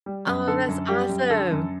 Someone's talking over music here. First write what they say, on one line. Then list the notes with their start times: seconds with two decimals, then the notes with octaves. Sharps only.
Oh, that's awesome.
0.06 G3
0.27 F#2
0.48 D3 A4
0.68 F#2
0.89 G3 G4
1.09 F#2
1.30 D3 A4
1.51 F#2